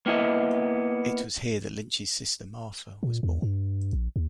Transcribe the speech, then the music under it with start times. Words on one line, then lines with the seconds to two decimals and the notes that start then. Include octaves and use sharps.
It was here that Lynch's sister Martha was born.
0.06 A#3 B3 E4 D#5
3.03 A#2
3.23 E2
3.42 G2
3.93 A#1
4.16 D#2